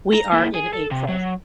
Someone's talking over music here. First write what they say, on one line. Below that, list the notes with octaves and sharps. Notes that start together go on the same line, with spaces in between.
We are in April.
A#5
A#3 E4
G#4
A4
C3
F#3